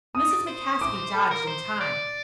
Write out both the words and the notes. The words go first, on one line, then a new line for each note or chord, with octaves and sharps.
Mrs. McCaskey dodged in time.
D#6
D5
C5
D6
A4
A#4
C5
D5